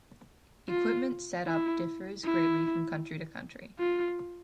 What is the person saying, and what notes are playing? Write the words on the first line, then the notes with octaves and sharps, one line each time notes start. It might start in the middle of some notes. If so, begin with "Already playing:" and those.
Equipment set up differs greatly from country to country.
F4
E4
E4
F4